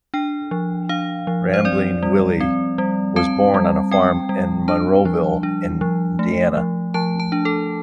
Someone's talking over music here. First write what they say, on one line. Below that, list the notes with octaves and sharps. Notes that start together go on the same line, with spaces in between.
Rambling Willie was born on a farm in Monroeville, Indiana.
D4 G5
F3
D4 F5
F3
C5
C4 D5
G3
C4
G3
C4 A5
G3
C4 G5
G3
D4 A5
F3
D4
F3
A3
F3
F3 A5
A5
D4
A4